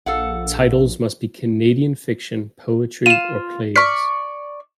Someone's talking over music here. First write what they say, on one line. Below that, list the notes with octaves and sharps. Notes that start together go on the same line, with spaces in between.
Titles must be Canadian fiction, poetry or plays.
A#1 A4 F5 F#5
F4 D#7 E7
D5 C#6 F6 B6